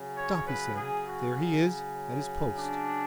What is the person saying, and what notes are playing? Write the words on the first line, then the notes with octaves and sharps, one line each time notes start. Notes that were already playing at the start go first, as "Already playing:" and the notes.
"Stop!" he said, "there he is at his post."
Already playing: C#3 F#3
C#5
B4
G#4
F#4
D4